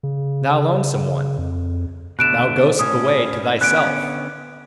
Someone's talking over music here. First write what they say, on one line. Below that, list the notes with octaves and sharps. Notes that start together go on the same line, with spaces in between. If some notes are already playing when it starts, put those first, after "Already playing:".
Thou lonesome one, thou goest the way to thyself!
C#3
F2
B2 D3 A3 F#6 D7 E7
A2 C#4 D#6
D3 B3 C#4 F#6 D7